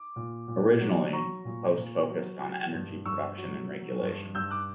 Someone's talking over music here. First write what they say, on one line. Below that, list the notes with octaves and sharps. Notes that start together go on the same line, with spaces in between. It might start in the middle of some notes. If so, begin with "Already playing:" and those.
Originally the post focused on energy production and regulation.
Already playing: D6
A#2
A#2
F#3
F#3 A#5 C#6
A#2
A#2
F#3
F#3
G2
G2 C#6 E6
F#3
F#3
G2
G2 E6 G6
D6 F#6